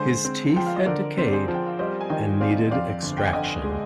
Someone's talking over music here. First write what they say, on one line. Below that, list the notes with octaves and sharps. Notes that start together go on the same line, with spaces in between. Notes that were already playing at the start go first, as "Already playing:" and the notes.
His teeth had decayed and needed extraction.
Already playing: D3 G#3 G#4 C5
C4
F3 G5
F5
D#5
D3 A#4 D5
C4
D5
G#4 C5
F3
G5
F5
G3 C5 D#5
G#5
D#3 D#5 G5
C4 D5 F5
F2 D5 F5
G1
G5
G#5
D3 D#5 G5
G#3